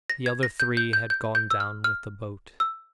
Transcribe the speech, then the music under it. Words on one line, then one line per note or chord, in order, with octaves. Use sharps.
The other three had gone down with the boat.
A#6
G#6
A#6
G6
G6
G6
G6
G6
E6
F6
F6
E6